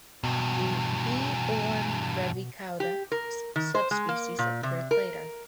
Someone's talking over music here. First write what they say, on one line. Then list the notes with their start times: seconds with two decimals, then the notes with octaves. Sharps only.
The "B. born brevicauda" subspecies appeared later.
0.24 E2 G2 B2
2.80 G4
3.12 A#4
3.56 D#3
3.75 C5
3.91 G#3
4.09 A#3
4.39 A#2
4.63 C3
4.91 A#4